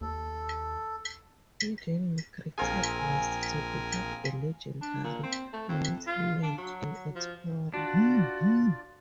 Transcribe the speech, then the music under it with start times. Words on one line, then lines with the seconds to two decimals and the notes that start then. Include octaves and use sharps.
He then migrated west to become a legendary "mountain man" and explorer.
0.01 D#2 A4
2.58 A#1 C4 F4 G#4 A#4 G#5
4.81 D4
5.04 A#2
5.23 C4
5.53 A3
5.69 F2
6.07 F4
6.43 D4
6.58 F#3
7.16 F3
7.74 D4 F4 F#4 D5